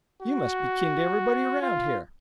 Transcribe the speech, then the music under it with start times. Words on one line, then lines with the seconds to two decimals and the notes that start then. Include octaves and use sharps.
"You must be kin to everybody around here?"
0.21 F#4
1.62 F4